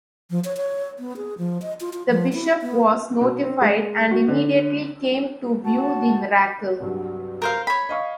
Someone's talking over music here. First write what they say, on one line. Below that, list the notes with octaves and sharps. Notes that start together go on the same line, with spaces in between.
The Bishop was notified and immediately came to view the miracle.
F3
C#5
C#5
B3
G#4
F3
D#5
F4
F4
F3
E4
B3
B2
C4
G#3
F#4
D3
F#4 A5
C2 G2 F#3
A#4 C5 F5
C#5 B5
D#5 F5 C#6